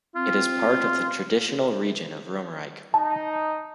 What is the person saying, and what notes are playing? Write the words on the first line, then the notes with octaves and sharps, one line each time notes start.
It is part of the traditional region of Romerike.
C4 F4
D#4 A5